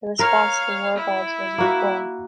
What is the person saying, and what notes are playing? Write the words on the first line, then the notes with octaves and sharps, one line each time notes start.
The response to "War Gods" was lukewarm.
A#4 C#5 F5
E4
A#3 F#4